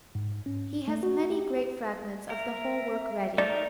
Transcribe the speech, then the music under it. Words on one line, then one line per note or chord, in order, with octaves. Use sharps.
He has many great fragments of the whole work ready.
G#2
C#4
A3
F#4
G4
A#4 E5
A3 D#4 A#4 D5